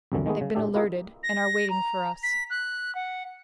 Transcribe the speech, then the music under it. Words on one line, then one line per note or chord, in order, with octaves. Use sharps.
"They've been alerted and are waiting for us."
C2 F#2 D3 E3
D#3 G#3 A3 B3 G#4
C#3
A2 D4 G4 A4 E5
E4 F4 G4 A#4 D#5 E5
A#6
A#5
B6
F#6
F#5